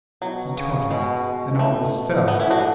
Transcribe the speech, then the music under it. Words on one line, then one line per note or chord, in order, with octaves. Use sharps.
He tottered and almost fell.
B2 F#3
C#3
B2 G#3
B2
A2 A3
B2
A2 B3
C#4 E4
D4 F#4